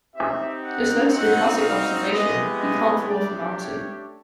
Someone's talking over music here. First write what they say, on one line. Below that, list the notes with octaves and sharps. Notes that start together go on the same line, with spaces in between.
This led to the classic observation, You can't fall off a mountain.
C4 D#4 G4 E5
F#5
C4 D#4 F#4 F#5
F5
G#3 B3 E4 G4 D#5
D#5
A3 D4 G4 D5
C#5